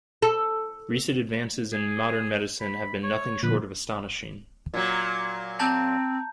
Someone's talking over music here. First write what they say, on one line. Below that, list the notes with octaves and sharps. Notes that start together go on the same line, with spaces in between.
Recent advances in modern medicine have been nothing short of astonishing.
A4
G#4
B5
C#5
A#2 D3 F3 B4
A#2 F#3
C4 A5 A#5 G6